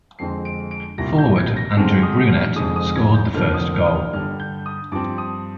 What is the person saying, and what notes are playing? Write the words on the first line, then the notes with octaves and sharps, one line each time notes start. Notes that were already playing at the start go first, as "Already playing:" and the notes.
Forward Andrew Brunette scored the first goal.
F2 D3 G#3 C4 C7
D7
D7
C2 A#2 G3 A#6
G6
G#6
A#6
G#1 G2 D3 G#3 C4 F6
F6
D#6
F6
F1 F2 D3 G#3 D#6
D#6
G#6
G6
F1 F2 D3 F3 A#3 F6
D#6
F6
D#6
F6
G2 D3 G3 F6
G6
D#6
G2 F3 C4 D6
D#6